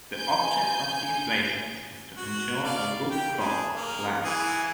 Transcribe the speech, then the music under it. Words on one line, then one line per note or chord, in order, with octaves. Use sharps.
The object of these races is to ensure a good crop of flax.
G#5 G6
F#4
D5 F5
G4
D4 G#4
A#3
E3 G#4